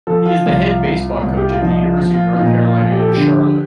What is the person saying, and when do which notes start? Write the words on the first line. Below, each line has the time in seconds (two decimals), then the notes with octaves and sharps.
He is the head baseball coach at the University of North Carolina at Charlotte.
0.07 F3 A4
0.26 F4
0.46 C2 F4
0.65 F4
0.85 C2
1.23 C2
1.37 G4
1.50 F4
1.61 F3 D#4
1.87 F4
2.00 F3
2.14 F4
2.33 F4
2.39 A#2 D#4
2.65 F4
2.79 F3
2.91 G4
3.00 A4
3.09 G4
3.17 D3